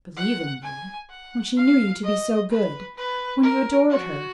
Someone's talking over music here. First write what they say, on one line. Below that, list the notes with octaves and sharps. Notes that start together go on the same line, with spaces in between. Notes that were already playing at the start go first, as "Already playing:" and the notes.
"Believe in you?--when she knew you to be so good!--when you adored her!"
F#5
G#5
F#5
F5
D#5
B4
B4
A#4
F#4